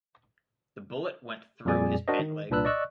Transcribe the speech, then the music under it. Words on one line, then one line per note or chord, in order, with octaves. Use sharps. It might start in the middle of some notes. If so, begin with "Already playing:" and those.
The bullet went through his pant leg.
F2 A#2 G3 G#4 D5 G#5
D4 F#4 A#4 C5 D#5
D#3
C2 A#2 D4 B4 E6 F#6
D5 D#5 C#6 E6 F#6